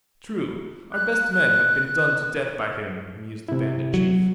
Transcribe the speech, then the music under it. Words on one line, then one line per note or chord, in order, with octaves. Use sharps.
"True, our best men have been done to death by him," mused the bandit chief.
F#6
C3 E4
F#3